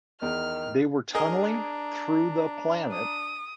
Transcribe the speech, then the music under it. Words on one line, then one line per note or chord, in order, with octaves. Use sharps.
they were tunneling through the planet
E2 D#3 F6
D4 G#4 A#4 D#5 A#5
D#6